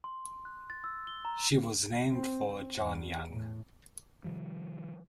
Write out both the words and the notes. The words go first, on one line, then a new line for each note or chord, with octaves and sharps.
She was named for John Young.
C6
F#6
A6
E6
G7
A#5
C4
C4
E2
A2
C3 D#3 F3 G3